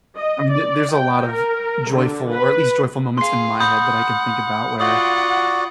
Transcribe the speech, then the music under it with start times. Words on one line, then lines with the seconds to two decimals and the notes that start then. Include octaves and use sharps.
I mean th there's a lot of joyful or at least joyful moments in my head that I can think about where,
0.16 D#5
0.52 D5
0.93 G5
1.25 A#4
1.91 D3
2.30 B4
3.18 G#4 F5 C6 C7
3.60 F#5 B5 D#6 G6
4.80 F4 F#4 D5 F#5 D#6 F#7